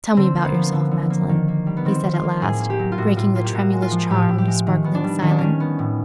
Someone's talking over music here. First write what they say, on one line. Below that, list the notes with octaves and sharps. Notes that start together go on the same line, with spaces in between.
"Tell me about yourself, Magdalen," he said at last, breaking the tremulous, charmed, sparkling silence.
D3 C4
A#3
B3
F3
D3
D3
A#3
D#3
A#3
G3
B3
D#3 C4
D#3
F4
A#3
A2 G#4
A#3
G4
F#3
F4
A2 F#4
A2 F4
A#3 F4
G4
A2 F#4
G#3
F4
F3
A2 G4
A2
G4
G#3
D#3
B3
D4
G3
D#3 C#4
D4
D#3 C#4
B3
A2